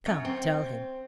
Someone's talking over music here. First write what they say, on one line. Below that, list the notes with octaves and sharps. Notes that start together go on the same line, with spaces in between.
Come, tell him.
F#2
C4